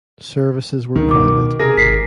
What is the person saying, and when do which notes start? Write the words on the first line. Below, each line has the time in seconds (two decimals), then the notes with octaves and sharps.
Services were private.
0.96 C#2 D#3
1.11 B2 D6
1.59 C3 G#4 A#4 A#6
1.77 G#1 B6 C7